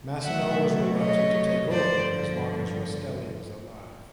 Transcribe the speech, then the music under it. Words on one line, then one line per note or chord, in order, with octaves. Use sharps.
Massino was reluctant to take over as long as Rastelli was alive.
B2 F#3 A3 E5 F#5
C#5 D#5
G2 D3 F3 C5 D5